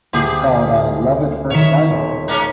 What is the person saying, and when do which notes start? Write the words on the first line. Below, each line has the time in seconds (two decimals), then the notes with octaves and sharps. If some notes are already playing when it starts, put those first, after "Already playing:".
It's called, uh, Love at First Sight
0.13 D2 A#3 G4 G#4
1.50 B2 D#3 C#5 E5
1.90 D#1 C4
2.28 G#3 A#3 C#4